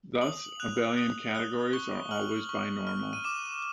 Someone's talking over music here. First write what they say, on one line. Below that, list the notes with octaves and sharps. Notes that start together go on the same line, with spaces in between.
Thus, abelian categories are always binormal.
D#6 F#7
F#6 F7
D#6
F#6 G7
C#6 G7
F6 F#7
C#6
F6
D#7
D6 E7